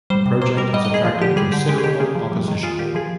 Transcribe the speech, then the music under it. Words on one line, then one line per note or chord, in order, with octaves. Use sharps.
The project has attracted considerable opposition.
G3 C5
C3
A#3 C5
G3 A#4
G3 D#5
D#5
D#3 G#4
F3 F4
D3 G4
G3 G#4
D3 G4
G#3 G4
G#4
D#3 G4
A#3 G#4
F3
G3
D#3
G#3 F4
A#2 G4
F3 G#4